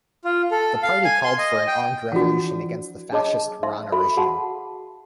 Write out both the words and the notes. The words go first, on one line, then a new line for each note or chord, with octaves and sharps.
The party called for an armed revolution against the fascist Rana regime.
F4
A4
F5
G#5
C6
D#5
G5
E3 F3 D4 F#4 F#5
D4 G#4 C#5 D#5 A5 D6
D#4 C5 E5 C6
F#4 A4 E5 B5
F#4 G#4 F#5 A5 B5 C6